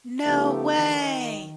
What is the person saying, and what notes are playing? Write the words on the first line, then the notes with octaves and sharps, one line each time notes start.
No way.
C#3 F3 A3 B3 D#4 G4
D#3